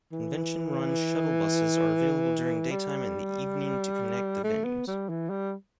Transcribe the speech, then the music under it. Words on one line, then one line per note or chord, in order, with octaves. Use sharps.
Convention-run shuttle buses are available during daytime and the evening to connect the venues.
E3
G3
A3
B3
G3
E3
G3